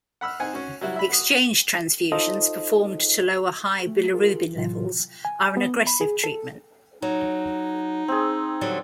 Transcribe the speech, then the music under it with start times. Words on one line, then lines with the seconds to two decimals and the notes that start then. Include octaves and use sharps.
Exchange transfusions performed to lower high bilirubin levels are an aggressive treatment.
0.21 F#5 B5 E6 F6
0.40 C4 D#4 F#5 G#5
0.53 C#4 F#4
0.81 F#3 G3 E4 F#4
0.96 E5 B5
1.09 F#4 D#6
2.12 D#4 F4 A4 C5 D#5
3.87 A3
4.14 F4 G#4 A#4
4.55 A2 C3 E3 F#3 F4
5.25 G#5
5.57 B3
5.87 B5
6.01 G#4
6.24 A4
7.02 F#3 D#4
8.08 C4 G#4
8.61 D3 F#3 G3